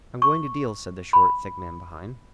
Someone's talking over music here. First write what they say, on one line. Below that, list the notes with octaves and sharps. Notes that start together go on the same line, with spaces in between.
"I'm going to deal," said the short, thick man behind.
C#6
B5